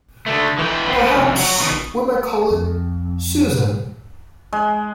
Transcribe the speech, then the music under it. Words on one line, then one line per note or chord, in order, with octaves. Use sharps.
Perhaps we might call it Susan.
D3 A3
E3 G5
B3 C4
C2 F2
F#3
B2 D#3
F2
G#3